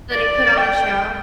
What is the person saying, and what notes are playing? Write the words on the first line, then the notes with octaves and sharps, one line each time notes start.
So, they put on a show?
D5
G5